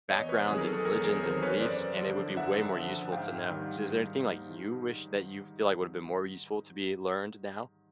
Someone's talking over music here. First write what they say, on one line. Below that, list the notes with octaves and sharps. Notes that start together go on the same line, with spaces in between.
backgrounds, and religions, and beliefs, and it would be way more useful to know. So is there anything, like, you wish that you feel like would have been more useful to be learned now?
E2 C#5 D#5
B4 C#5
C3 D#3 F#3 G#4
A#4
A4
E2 G#4 A#4
G#4 A#4
C3 D#3 F#3 A#4 C5
B4 C#5
F#2 C5 D5
D3 F3
F#2 E5 F#5
D3 F3
G#2 F5 G5
D#3 G3
G#2